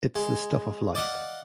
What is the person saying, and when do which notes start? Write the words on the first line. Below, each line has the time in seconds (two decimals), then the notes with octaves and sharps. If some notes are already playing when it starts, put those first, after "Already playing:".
It's the stuff of life.
0.15 G#3
0.95 D5 D#5 F5 F#5